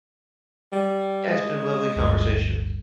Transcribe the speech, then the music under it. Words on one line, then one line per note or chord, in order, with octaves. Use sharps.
yeah, it's been a lovely conversation.
G3
G#3
D1 G1 G2